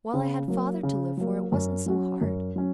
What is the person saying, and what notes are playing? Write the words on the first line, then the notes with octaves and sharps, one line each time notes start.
While I had Father to live for it wasn't so hard.
C#3
F#3 A#3
C#3
F#3 A#3
F#2
F#3 C#4 F#4
F#2
F#3 C#4